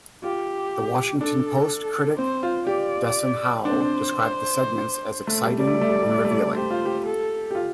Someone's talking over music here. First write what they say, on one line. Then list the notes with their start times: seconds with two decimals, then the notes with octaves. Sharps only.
"The Washington Post" critic Desson Howe described the segments as exciting and revealing.
0.23 F4 G4
1.21 D4 A4
2.18 C4 C5
2.43 F4
2.67 G4 D5
3.64 D4 C5
3.72 C4
3.81 D4
5.27 A3
5.43 G3
5.59 G3 D5
5.67 A3
5.74 G3
5.81 A3
5.89 G3
5.96 A3
6.03 G3
6.09 A3
6.18 G3
6.25 A3
6.31 G3
6.57 G4 C5
6.71 F4
6.85 G4
7.06 A4
7.51 G4
7.55 F4